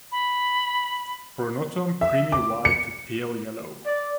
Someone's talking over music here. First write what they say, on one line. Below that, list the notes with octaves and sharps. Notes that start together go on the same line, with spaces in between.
Pronotum creamy white to pale yellow.
B5
E5
D6
C#7
D5